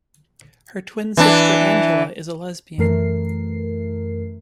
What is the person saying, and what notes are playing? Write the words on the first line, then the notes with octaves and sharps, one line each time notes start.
Her twin sister Angela is a lesbian.
E3 D4
F#2 E3 A3 A#4 C7